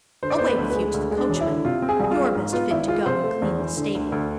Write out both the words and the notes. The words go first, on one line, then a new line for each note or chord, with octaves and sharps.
"Away with you to the coachman; you're best fit to go and clean the stable."
D3 C5
D5
B3 C5
B4
D2
B4
G#3
D2
G#3
D4
E1
E4
D3
C3 F4
C4
G#4
C2 G#4
F4
G#3
G#2
B3 F4
G#1 E4
G#3 F4
C3 C5
A3
E2
E3
D3
D2
D2